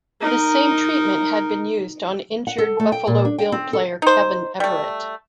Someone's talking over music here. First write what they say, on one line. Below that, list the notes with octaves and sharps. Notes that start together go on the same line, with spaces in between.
This same treatment had been used on injured Buffalo Bill player Kevin Everett.
D#4 A#4
F#5
A4
A3
G5
A#2
D4
G5
C4
A4
D#4 C5
G3 A3